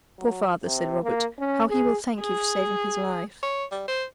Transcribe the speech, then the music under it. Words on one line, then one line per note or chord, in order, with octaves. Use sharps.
"Poor father," said Robert; "how he will thank you for saving his life."
F#3
C3
A#3
C#4
G#4
G#4
C#5
G3
C5